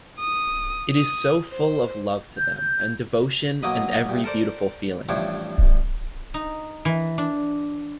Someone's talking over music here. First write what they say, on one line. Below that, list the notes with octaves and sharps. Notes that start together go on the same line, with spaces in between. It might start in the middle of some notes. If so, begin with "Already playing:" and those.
It is so full of love to them and devotion and every beautiful feeling.
D#6
D#6
C5
G6
B2 F#3 A#3 D#5 B5
C2 G2
A4 A#4 C5 D5
A1 G2 F3 D4 E4 C#5
D#4
E3
D4